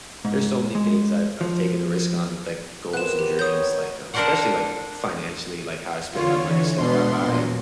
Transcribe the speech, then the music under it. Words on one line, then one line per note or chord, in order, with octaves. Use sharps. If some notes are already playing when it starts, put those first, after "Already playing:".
there's so many things I've I've taken a risk on with, like, goals and dreams, like, um especially, like, financially, like, how I spend my money, stuff I buy, and,
G#2
G#3
F3
D#3 B3 C4 F#6 E7
G4
C#5 D#6 G6
A#4
D4 A4 A#4 C5 D5 F#5
D3 F4 C#5
E3
B2 G#3 B3 D4 C6
A#2 F#3